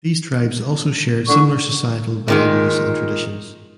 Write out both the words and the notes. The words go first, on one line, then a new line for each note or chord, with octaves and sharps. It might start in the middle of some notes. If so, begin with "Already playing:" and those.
These tribes also shared similar societal values and traditions.
A2 D3 D4 C#6
A#2 D#3 G#3